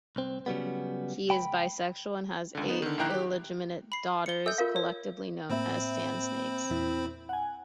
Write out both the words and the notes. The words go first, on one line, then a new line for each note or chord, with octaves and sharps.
He is bisexual and has eight illegitimate daughters, collectively known as the "Sand Snakes".
C2 C4
C#3 F#3 G3 B3
C#2 G5 B5
C#2 D3
B3 D#4
D3 D#3
A#1 D#3 E4 G5 A#5 F#6
G4
B5 C7
C#7 G7
A4 E5 E6 G6
F4 A#4 F5
C#5
A2 A#3 C4 C5 E5 B5
E2 A#2 E4
F#5 G#5